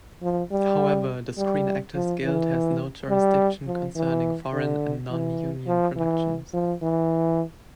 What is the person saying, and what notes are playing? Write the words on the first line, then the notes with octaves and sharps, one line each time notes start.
However, the Screen Actors Guild has no jurisdiction concerning foreign and non-union productions.
F3
G3
G3
F3
E3
G3
F3
E3
D3
E3
F3
E3
F3
E3